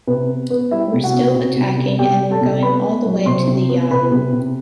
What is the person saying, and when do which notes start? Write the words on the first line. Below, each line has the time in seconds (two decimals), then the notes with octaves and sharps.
We're still attacking and we're going all the way to the Yalu.
0.07 C3 B4
0.29 B3
0.50 B3
0.71 G3 E4 E5
0.93 C3
1.04 F#4 F#5
1.14 C3
1.36 C3
1.56 C3
1.78 C3
1.99 C3 G4 G5
2.20 G3
2.31 A4 A5
2.41 C3
2.63 B3 B4 B5
2.84 B3
3.06 F#3
3.26 C3 C5 C6
3.48 C3
3.69 B3
3.90 C3 B4 B5
4.12 C3
4.33 C3